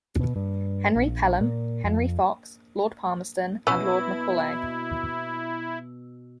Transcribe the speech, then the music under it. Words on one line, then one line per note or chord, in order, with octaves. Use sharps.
Henry Pelham, Henry Fox, Lord Palmerston and Lord Macaulay.
B2
G2
A#1
A#2
F2
B2 B3 C#4 E4 E6